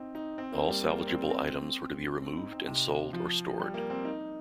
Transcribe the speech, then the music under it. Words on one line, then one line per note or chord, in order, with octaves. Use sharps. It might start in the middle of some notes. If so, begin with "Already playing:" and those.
All salvageable items were to be removed and sold or stored.
Already playing: C4 D#4
D#4
C4
A#3
G3
A#3
C4
C4
C4
D#4
C4
C3
F3
G3
A#3
C4
D#4